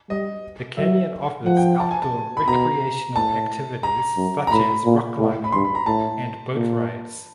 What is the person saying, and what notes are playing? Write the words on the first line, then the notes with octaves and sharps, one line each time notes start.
The canyon offers outdoor recreational activities such as rock climbing and boat rides.
G3 D#5
F#3 E5
F3 F#5
G5
A5
G#5
A5
B5
B2 A#5
A2 A5
A#5
F#2
A#5
A2 B5
A#2
A2
B5
G2 C6
B5
A#5
A2 A5
A#2